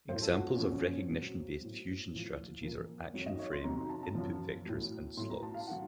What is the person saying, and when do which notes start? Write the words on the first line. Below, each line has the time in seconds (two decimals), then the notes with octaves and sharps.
Examples of recognition-based fusion strategies are action frame, input vectors and slots.
0.09 A2 F#3 C5
0.22 A4
0.29 F4
0.34 F#4
0.47 F4
0.56 C#4
0.60 A#2 F3 C4
0.72 C#4
0.86 C#4
0.98 C4
1.10 A#2 F#3 C4
1.61 A2 F#3
2.13 A2 F3
2.62 A#2 F3 A#4
3.13 F2 D#3 F#3 C#5
3.26 D#5
3.39 C#5
3.52 C6
3.64 F2 C3 D#3 F#3 A#5
3.78 A#5
3.89 A5
4.03 A5
4.15 F#2 F3
4.66 A2 F#3
5.17 A2 F#3 C6
5.30 A#5
5.43 A5
5.54 F5
5.67 D#3 F#3 F#5